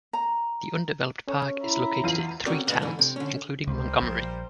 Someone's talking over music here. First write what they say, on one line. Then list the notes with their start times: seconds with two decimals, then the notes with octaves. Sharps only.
The undeveloped park is located in three towns, including Montgomery.
0.13 A#5
1.28 C#4 A4 C#5
1.62 E4 A#5
2.04 E2 F4 D#7
2.46 C4 C#4 F#4 A#4 D5
2.67 A#2 C#3 B4 D#5 F5 F#5
2.82 G#2 D3 E3
2.99 C3
3.16 D3 C#4
3.67 C#2 G3 A#4 C5
4.02 A#1